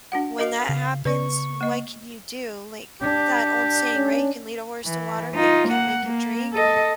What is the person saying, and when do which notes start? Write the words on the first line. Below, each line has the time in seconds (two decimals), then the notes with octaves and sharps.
when that happens, what could you do? Like, that old saying, right, "You can lead a horse to water, but you can't make it drink."
0.12 D4 F#4 F#5
0.38 F#4 A#4 D#5 F5
0.69 C#3
1.05 C#3 B3 B4 D5 C#6
1.61 A#3 D#5
3.01 D4 G4
3.94 C#4
4.84 E3
5.34 D#4 F4
5.68 A#3 F#5
6.05 A#3
6.53 A4 D#5